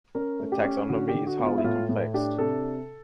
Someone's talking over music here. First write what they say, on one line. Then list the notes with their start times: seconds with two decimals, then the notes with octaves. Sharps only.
The taxonomy is highly complex.
0.15 C#4 A#4
0.40 A3
0.52 G4
0.64 C#4
0.89 D3 F#4
1.08 G4
1.14 D3
1.27 F#4
1.39 B3
1.46 F4
1.58 E4
1.64 A2 F4
1.89 A2
2.14 D4 G4
2.38 C3 A4